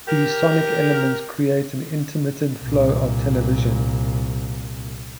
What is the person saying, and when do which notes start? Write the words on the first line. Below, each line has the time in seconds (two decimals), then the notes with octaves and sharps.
These sonic elements create an intermittent flow of television.
0.07 G4 A#4
2.62 C2 A#2